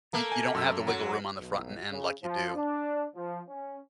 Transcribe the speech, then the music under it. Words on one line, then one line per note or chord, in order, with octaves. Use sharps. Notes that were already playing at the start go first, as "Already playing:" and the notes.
y you don't have the wiggle room on the front end, like you do,
A3 A#3
G#5
F#2 E6
F#3
B1
C#3
F3
D4
F3
C#4